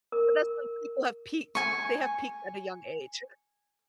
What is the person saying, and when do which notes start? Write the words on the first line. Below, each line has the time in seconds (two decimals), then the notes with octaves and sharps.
But that's when people have peaked. They have peaked at a young age.
0.12 A#4
1.55 G#5 C#6